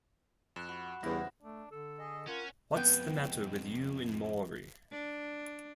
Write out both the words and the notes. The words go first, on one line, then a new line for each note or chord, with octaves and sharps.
What's the matter with you and Maury?
F2 F#6 E7
F#4 B5
E2 G2 C#3 B3 E4 C5 A#6
A3 D4
D3 A4
G#4 D#5
C#4 F4 A#4 F#5
F2 G#3 B3 G5
D4